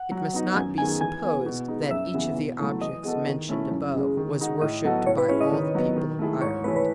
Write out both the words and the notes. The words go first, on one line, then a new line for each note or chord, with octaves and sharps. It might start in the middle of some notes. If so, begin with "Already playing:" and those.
It must not be supposed that each of the objects mentioned above was worshipped by all the people of Ireland.
Already playing: F#5
F#3
B3 D#4 F#4
F#2 G#5
D#3 G#3 B3 D#4 G#5
E3 G#5
G#3 B3
B2
G#3 D#4
F#2 E5
C#3 E3 B3
B2
F#3 A3 E4 A4
E3 D#5
G#3 B3 F#4 A4
D#3
A3 C#4 E4
F#2
C#3 G#3
D#3
G#3 D#4 F#4
A2 D#5
F#3 B3 F#4 A4
A2 C#5
B4
G#3 C#4 E4 C#5
D#5
D#3
F#3 B3
D#3
A3 E4 G#4
G#2 C#5
E3 A3 B4
B4